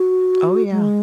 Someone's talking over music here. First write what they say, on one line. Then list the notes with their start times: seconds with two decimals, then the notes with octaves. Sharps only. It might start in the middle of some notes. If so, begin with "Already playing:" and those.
Oh, yeah.
Already playing: F#4
0.71 G#3